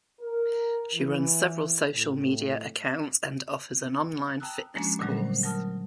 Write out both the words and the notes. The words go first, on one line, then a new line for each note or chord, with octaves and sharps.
She runs several social media accounts and offers an online fitness course.
A#4
E3
A2
G5 A5 A#5 D#6 E6 F#6
F3 G#3 A#3 C#4 D4 F#4
A#2 D3 D#3 F#3 G3 A3
C5
F#3 A#4 A5 D#6 F6